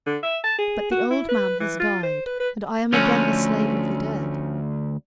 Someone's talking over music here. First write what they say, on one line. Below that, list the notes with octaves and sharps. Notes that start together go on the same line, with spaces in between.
But the old man has died, and I am again the slave of the dead.
D3
E5
A5
G#4
F#4
E4
B4
E3
F4
C5
B4
B4
D2 F3 A3 C#4